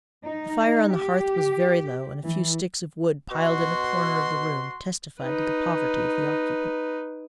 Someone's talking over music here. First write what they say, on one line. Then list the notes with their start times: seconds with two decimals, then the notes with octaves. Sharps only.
The fire on the hearth was very low, and a few sticks of wood piled in a corner of the room testified to the poverty of the occupants.
0.24 D#4
0.93 G4
2.23 E3
3.31 B2 F#4 C6
5.21 D#4 B4